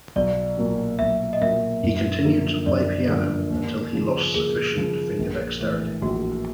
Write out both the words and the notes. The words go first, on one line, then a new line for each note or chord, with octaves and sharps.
He continued to play piano until he lost sufficient finger dexterity.
B1 D5
A#2 F#3
B1 E5
D#5
A#2 F#3 E5
F#2
D3 F3 A#3
F#2 D5
D3 F3 A#3
D#2
C#3 F3
D#2 G#4
C#3 F3
A#1
A2 E3
A#1 F#4